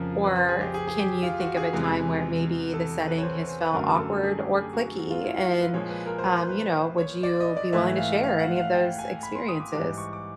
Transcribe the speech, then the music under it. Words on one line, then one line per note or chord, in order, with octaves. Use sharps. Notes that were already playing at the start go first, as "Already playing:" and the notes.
or can you think of a time where maybe the setting has felt awkward or cliquey, and, um, you know, would you be willing to share any of those experiences?
Already playing: F2 C#3 F3 A#4
B4
C5
G#4
G4
G#4
G#4
G4
F4
F#4
G#4
E2 C3 E3 G#3
A4
B4
C#5
C5
C#5
C5
B4
F#2 D3 F#3 A3 A#4
A4
G#4
G4
G#4
F#4
F#4
F#4
F4
E4
F4
B4
A#2 F3 G#3 C#5
B4
A#4
C5
B4
C5
B4
C#5
D5
D#5
D5
G#2 E3 A3 E5
F5
F5
F#5
F5
G5
G#5
B5
C6
D#6
D6
G#2 E3 G3 D6
C#6
D6